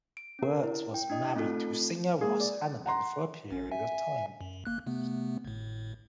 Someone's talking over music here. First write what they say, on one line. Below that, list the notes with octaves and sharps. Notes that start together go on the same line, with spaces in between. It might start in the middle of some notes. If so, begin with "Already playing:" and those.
Wirtz was married to singer Ross Hannaman for a period of time.
D7
C#4 A#4
E4
G5
D4 E4 D#5 D#6
A3 C4 D#4 F4 A4
G#3 A#3 G#4
D5
F#5 A#5 C6
A1 C#4
E5 G#5
F#2
G1 A#3 F#6
C3 A3 B3
G#1 A2